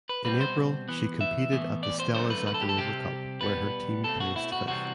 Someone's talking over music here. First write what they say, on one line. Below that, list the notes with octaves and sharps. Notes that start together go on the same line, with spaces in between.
In April she competed at the Stella Zakharova Cup where her team placed fifth.
B4
B2 G3 C4 B4
C5
E3 B3
E5
A2 E3 B3
D5
C5
D3 F#3 A3 C4 C5
B4
B4
A4
G4
A4
C3 G3 C4 G4
B2 G3 B3 B4
B2 A3 C4 A4
F#4
E4
F#4
C3 E3 G3 C4 F#4